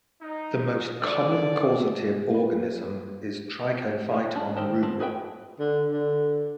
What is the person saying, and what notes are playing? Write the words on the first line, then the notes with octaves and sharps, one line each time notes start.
The most common causative organism is "Trichophyton rubrum".
D#4
D3 D4 D5
A#3 B4
F5
C#4 D4 A5
D#3 A4 C5
B3 C4 A4
G#4 B4 E5 G5
D3
D3